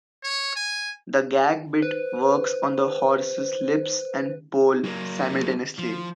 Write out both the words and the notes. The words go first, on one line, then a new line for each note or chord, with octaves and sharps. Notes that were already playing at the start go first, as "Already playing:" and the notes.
The gag bit works on the horse's lips and poll simultaneously.
C#5
G#5
B4 C5
F#3 A#3
F3